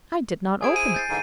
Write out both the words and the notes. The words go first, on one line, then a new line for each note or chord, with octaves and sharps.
I did not open it.
E4 G#4 C5 G#5 G#6 D7
G#5 D#7
G6 A6 C7
G#2 D3 E3